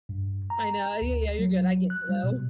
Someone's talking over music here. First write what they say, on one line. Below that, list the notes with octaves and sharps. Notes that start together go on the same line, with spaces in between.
I know, yeah, yeah, you're good I get you though.
G2
A#5
D2
F#3
F#3
F#6
G3
B2